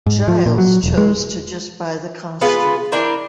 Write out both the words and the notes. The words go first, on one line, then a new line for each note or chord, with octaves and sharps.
Giles chose to just buy the costume.
G#2
F3
A#2
F#3
E1
G#3
G#3 B3 F4 B4
E3 D4 A#4 C5